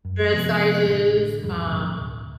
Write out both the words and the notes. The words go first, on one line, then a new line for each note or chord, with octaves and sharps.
dress sizes, um,
F#2
C3 D#3 F3 B3
A1 D3
D#1 G2 F3
B1 F2 A2 D3
D1